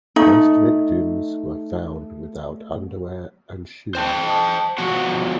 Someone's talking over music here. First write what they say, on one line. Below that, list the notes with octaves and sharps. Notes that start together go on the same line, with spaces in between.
Most victims were found without underwear and shoes.
A3 D#4
C5 G5 A5
F3 B3 F#4 F#5